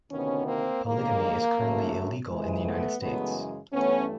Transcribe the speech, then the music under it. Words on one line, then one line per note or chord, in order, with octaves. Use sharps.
Polygamy is currently illegal in the United States.
D2 C3 D#3 B3 C#4
A#3 C4
D#2 D3 F3 G#3 A#3
F#2 C#3 F#3 A3
F2 C3 E3 G#3
A3 B3
F#2 C#3 E3 G#3 A3 B3
G2 E3 A3 B3 C#4